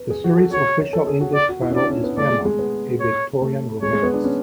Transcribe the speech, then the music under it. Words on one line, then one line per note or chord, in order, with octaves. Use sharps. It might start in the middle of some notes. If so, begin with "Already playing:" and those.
The series' official English title is "Emma - A Victorian Romance".
Already playing: B4
G#4
F#4
A4
F#4 C#5
C#5
A4
G#4
F#4
D5
F#4
E4
C#4
D4 D5
C#4
B3
A3 D5
G#3
G#3
B3
C#5
A3
G#3 C#5
G#3
B3
D4
C#4